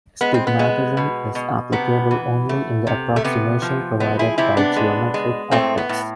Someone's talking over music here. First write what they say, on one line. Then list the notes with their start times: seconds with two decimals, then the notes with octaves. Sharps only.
Stigmatism is applicable only in the approximation provided by geometric optics.
0.21 G#3 B3
0.34 C4
0.47 B3
0.59 G#3
0.97 B2
1.35 B2
1.72 C3 B3
2.11 E3
2.49 A3
2.87 C3
3.16 A3
3.24 C3 B3
3.62 F3
4.00 G#3 B3
4.19 E4 G#4
4.38 C3 C4 E4
4.57 B3 D4
4.76 G#3
5.14 G#3
5.51 A2 A3 C4
5.78 B3
5.89 A2